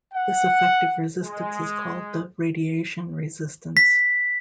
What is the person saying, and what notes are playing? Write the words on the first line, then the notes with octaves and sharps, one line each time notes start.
This effective resistance is called the radiation resistance.
F#5
G#3
B6